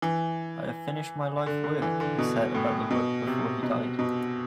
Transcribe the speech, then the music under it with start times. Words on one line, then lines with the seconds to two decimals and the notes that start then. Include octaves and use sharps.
"I have finished my life work", he said about the book before he died.
0.02 E3
1.46 D3
1.64 D3
1.82 E3
2.00 D3
2.18 B2
2.55 A2
2.91 B2
3.27 C3
3.63 B2
3.99 B2